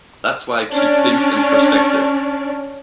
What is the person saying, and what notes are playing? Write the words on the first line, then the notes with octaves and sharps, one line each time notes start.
That's why I keep things in perspective.
C#4 D4 D5